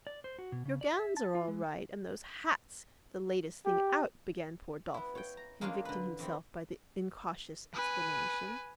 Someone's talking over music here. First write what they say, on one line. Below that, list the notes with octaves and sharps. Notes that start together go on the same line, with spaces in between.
Your gowns are all right, and those hats the latest thing out,' began poor 'Dolphus, convicting himself by the incautious exclamation.
D5
C5
F#4
B2
C#3
D5
E5
A5
F4
G#3
G4
B3 E4
C#5 G5
A#5
G#3 A#3 C#4 D4 F4
D3 B4
F2 E3 C4
B4 G#5